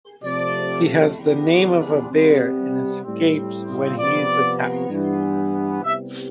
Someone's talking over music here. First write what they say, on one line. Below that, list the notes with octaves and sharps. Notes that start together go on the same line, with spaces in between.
He has the name of a bear and escapes when he is attacked.
C3 F3 A3 D5
E2 C3 G3 B3 D4
C3 G3 B3
A2 G3 C4
C3 F3 B3 D5
G2 E3 B3
C2 C3 G3 B3 E5